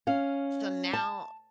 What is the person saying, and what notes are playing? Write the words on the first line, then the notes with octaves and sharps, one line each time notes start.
So now
C#4 F5
A5